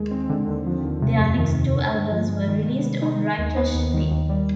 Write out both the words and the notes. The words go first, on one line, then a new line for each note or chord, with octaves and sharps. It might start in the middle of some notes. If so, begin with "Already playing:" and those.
Their next two albums were released on Righteous Babe.
Already playing: D#2 D#3 G#3
C4
D3
D#2
F3
D#2
C3
F2
D#3
F2
D3
G2
F3
G#3
D#3
C3
B3
D#4
D#3
D#2
B3
D#2
D#3
D#2
G3